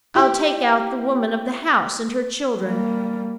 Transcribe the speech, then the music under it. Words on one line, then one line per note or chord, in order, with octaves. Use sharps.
I'll take out the woman of the house, and her children.
E4 G4
G3 A#3